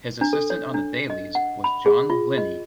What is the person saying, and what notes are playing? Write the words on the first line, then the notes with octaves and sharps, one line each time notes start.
His assistant on the dailies was John Liney.
D4
A4
C#5
D4
D#5
F#5
B5
G#4
F4
D#5